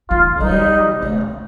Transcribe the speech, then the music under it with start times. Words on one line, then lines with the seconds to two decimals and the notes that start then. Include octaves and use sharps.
Well, well.
0.09 D#3 F4
0.40 G3 D#4
1.02 A3